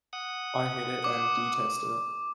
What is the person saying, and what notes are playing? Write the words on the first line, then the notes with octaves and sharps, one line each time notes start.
I hate it and detest it.
F#5 D#6
D6